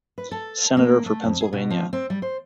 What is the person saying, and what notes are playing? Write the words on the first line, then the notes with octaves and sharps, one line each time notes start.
Senator for Pennsylvania.
B4
A4
A#3
A3
F2
G#4
B2
F3
C4
G3
C5